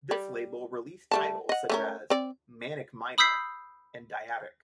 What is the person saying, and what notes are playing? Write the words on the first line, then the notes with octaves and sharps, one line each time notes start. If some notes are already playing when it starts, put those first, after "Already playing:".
This label released titles such as "Manic Miner" and "Dyadic".
G3
G3 A3 A5
D#5 F#5
A3 C#4 A#4
C4 D5
B5 D#6 E6 G6 B6 C7